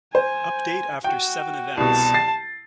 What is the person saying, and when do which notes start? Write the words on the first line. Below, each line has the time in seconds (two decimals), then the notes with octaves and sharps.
Update after seven events.
0.15 C5 G#5
1.04 F#4 G5
1.77 C2 B2 A5
2.14 A6 C7